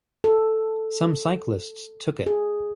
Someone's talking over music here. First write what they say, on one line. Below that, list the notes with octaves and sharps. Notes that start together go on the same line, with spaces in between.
Some cyclists took it.
A4
G#4